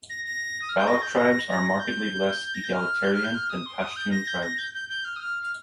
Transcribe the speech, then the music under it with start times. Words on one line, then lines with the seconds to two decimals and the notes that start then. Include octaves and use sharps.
Baloch tribes are markedly less egalitarian than Pashtun tribes.
0.10 A#6
0.24 A#6
0.62 D#6
0.69 F6
0.79 G6
0.87 A#6
1.02 G6
1.18 A#6
1.49 A#6
1.79 G6
2.54 A#6
2.64 G6
2.73 F6
3.04 G6
3.13 F6
3.24 G6
3.34 F6
3.50 D#6
3.66 C6
3.80 D#6
3.96 G6
4.11 A#6
4.27 G6
4.43 A#6
4.58 G6
4.74 G6
4.89 G6
5.05 F6
5.16 D#6
5.20 F6
5.43 F6